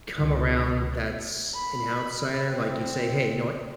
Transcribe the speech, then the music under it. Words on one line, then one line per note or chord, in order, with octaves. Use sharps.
come around that's an outsider? Like, you say, "Hey, you know what?
C#2
B5
C4